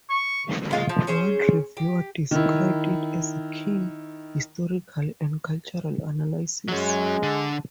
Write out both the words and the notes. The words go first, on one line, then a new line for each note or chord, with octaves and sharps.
One reviewer described it as a keen historical and cultural analysis.
C#6
G#3 F4
F3
C#4 G#4 C5
G4
D#3 E4
F#3 G#3 C#4
D3